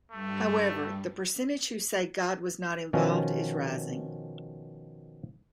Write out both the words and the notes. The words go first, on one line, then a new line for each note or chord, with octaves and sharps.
However, the percentage who say God was not involved is rising.
G2 G3 A3
B2 D#3 F3 C#4